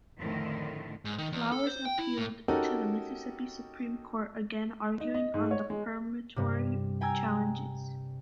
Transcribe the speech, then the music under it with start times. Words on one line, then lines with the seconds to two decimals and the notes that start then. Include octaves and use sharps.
Flowers appealed to the Mississippi Supreme Court again arguing on the peremptory challenges.
0.18 F2 A2 D3 D#3 F3
1.05 G#2
1.18 D#3
1.32 E2
1.52 A4
1.67 C5
1.85 G5
1.99 E4
2.17 A2
2.48 C#4 D#4 F#4 G4 A4 A#4
5.00 D#4
5.14 D#5
5.34 G#2
5.51 C#5
5.70 G#3
6.36 G2 C3
7.01 G5 G#5 A#5 E6 G#6